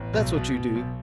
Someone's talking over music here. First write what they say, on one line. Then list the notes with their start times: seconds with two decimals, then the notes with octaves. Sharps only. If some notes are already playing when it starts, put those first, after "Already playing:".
'That's what you do.
Already playing: A1 B3
0.14 B1
0.34 B2
0.54 B2
0.75 B1